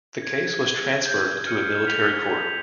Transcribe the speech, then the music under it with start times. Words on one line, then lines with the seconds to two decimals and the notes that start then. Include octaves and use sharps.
The case was transferred to a military court.
0.22 G#6
1.05 G6
1.47 F6 C#7 D#7
1.86 F6 B6 F7 F#7